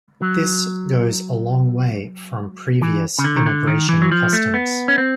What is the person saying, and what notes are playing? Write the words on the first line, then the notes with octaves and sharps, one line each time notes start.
This is goes a long way from previous immigration customs.
F#3
E3
C#3
D3
D#3
D3
D#3
E3
F#3
F3
A3
B3
C#4
C4